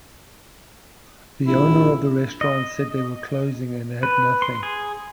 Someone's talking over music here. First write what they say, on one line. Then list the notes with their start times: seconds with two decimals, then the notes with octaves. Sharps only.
The owner of the restaurant said they were closing and had nothing.
1.47 A#1 E4
2.41 D#5
4.03 B4
4.42 C6
4.63 G#4